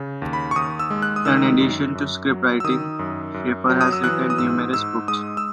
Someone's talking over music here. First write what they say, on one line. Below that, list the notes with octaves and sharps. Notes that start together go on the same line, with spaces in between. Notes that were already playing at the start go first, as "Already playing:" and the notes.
In addition to scriptwriting, Shaffer has written numerous books.
Already playing: C#3
D#2
B5
C#6
D#2 D#6
E6
G#3
F#6
D#6
D#3 E6
F#2
F#2
F#3
E6
D#3 D#6
F#2
F#2
F#3
D#6
E6
E3 F#6
D#6
G#2 E6
G#2 E6
G#3 D#6
E6